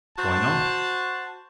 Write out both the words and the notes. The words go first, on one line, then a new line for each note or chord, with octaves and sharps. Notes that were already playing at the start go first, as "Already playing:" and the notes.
"Why not?"
F#4 C5 A5